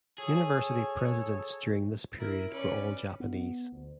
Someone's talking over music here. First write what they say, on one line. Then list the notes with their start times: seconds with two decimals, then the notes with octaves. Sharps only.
University presidents during this period were all Japanese.
0.18 G#4 A4 C#5
2.17 E4 A#4
2.52 C#4 B4 D5
3.20 B3
3.72 D2